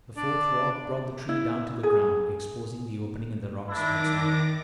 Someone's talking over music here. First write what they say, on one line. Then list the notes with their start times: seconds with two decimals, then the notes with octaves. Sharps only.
The fourth rock brought the tree down to the ground, exposing the opening in the rocks once more.
0.17 D4 D5
1.29 E4
1.83 G#4
3.68 D#3 D4 E4 D6 A#6